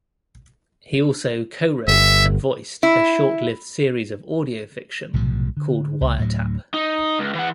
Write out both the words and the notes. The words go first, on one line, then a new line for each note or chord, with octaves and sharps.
He also co-wrote and voiced a short-lived series of audio fiction called "Wiretap".
G1 E5
E4
B1 A2 C3 F3
D3
C#2
D2 A2 F#3
D#4
C#2
E3 F#5